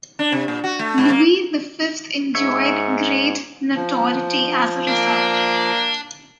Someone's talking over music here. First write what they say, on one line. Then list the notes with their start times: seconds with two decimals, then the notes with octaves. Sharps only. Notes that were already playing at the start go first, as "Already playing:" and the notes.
Louis the Fifth enjoyed great notoriety as a result.
0.19 D4
0.32 C3
0.48 A#2
0.64 F#4
0.79 A3
0.98 G#2
1.10 A#3
2.35 G#2 C#5 E5
3.75 F3
4.87 A#3 D4